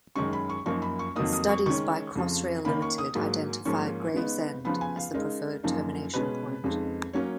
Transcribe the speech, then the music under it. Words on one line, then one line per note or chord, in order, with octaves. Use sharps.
Studies by Crossrail Limited identified Gravesend as the preferred termination point.
F#2 D#3 G#3 C#4 C#6
B5
C#6
F#2 F3 A#3 D#4 C#6
B5
C#6
F2 D#3 F#3 A#3 D#4 D#6
D#6
C#6
D#3 G#3 C#4 C#6
F2 C#3 F3
D#3 A#3 C#4 B5
C#6
D#6
G#2 F#3 A#3
G#2 F3 A#3 C#4 C#6
C#3 G#3 B3 D#4
C#3 F3 B3 B5
G#5
F5
C#3 G#3 D#4 A#4
F#2 C#3 F3 A#3 D#4
B2 G#3 C#4 B4
F2 C#3 G#3 D#4
F#3 A#3 C#4 C#5